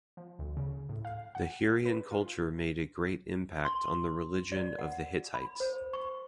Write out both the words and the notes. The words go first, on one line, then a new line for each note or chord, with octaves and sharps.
The Hurrian culture made a great impact on the religion of the Hittites.
F3
D2
C#3
A2
F5
F#5
B4
F4
C6
D5
F#5
B5
C5
C#6